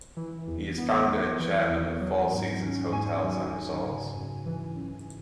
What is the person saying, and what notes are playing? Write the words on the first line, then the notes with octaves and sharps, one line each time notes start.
He is founder and chairman of Four Seasons Hotels and Resorts.
E3
E2
B3
E2
E3
E2
F#3
G#2
C#4
G#2 G#5
F#3
G#2
C#3
F#2
E3
F#2